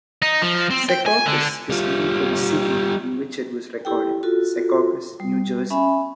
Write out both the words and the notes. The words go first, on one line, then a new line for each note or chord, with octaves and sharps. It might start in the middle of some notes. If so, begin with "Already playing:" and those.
"Secaucus" is named for the city in which it was recorded, Secaucus, New Jersey.
D#4
F3
C4
G5
G#5
D3
G3 F4
E4 G4 A4 G5
F4 F#4 A4
G3
C#4 E5 G#5 B5